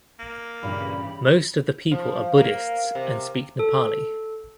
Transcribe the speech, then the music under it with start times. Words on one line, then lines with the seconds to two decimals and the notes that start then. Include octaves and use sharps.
Most of the people are Buddhists and speak Nepali.
0.19 A#3
0.63 G2 A#2 C#3 E3 G4 B5
1.91 F3
2.37 A#3
2.95 C3
3.59 A4